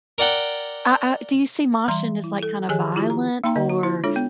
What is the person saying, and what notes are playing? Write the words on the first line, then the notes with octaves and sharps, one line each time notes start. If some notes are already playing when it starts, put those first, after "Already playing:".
I I Do you see moshing as, like, kinda violent or
A#4 D5 F#5 G5
E3 G3 A#5 C6
E4
A4
D#3 F3 G4 G#4 C#5 G#5
E4 F4 G4
A#5
A#3 D#4 G5 A#5 C6
D3 D#5
F#4
E4 C5
G#3 D4 F4 A4 C#5
B3